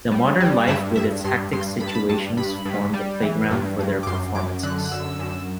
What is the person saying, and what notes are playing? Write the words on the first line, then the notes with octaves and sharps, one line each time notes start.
The modern life with its hectic situations form the playground for their performances.
G3
G3
G2 E5
G2 E5
G2 C6
G2 C6
G2 B5
A5
B5
G2 A5
G2 B5
G2
G3
E3
G2
G2
D6
F#2 C6
F#2 D6
D3 F#6
F#6
F#2 E6
F#2